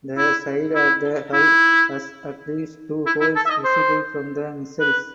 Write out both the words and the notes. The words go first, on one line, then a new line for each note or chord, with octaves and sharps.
The side of the hull has at least two holes visible from the missiles.
E4
E4
E4
E4
E4
A4
E5
D#5
C5
B4